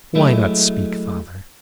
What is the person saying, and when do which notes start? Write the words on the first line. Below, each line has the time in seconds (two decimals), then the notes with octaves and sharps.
Why not speak, Father?
0.15 F#3 G#3 A3 E4